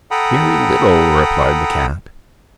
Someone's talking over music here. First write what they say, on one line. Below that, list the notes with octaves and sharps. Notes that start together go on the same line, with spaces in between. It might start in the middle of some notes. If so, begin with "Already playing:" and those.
"Very little," replied the cat.
A4 F#5 G5 A#5 B5 D#6